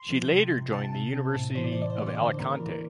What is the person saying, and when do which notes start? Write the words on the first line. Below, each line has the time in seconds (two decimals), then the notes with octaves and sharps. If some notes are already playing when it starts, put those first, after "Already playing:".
She later joined the University of Alicante.
Already playing: C6
0.10 F3
0.32 C3
0.52 C3
0.73 C3 A5
0.93 C3
1.14 C4
1.36 A2
1.55 E3 C5
1.64 D5
1.73 C5
1.77 E3 D5
1.90 C5
1.98 A#3 D5
2.06 C5
2.15 D5
2.19 D3 C5
2.39 A#3 A#4
2.60 E3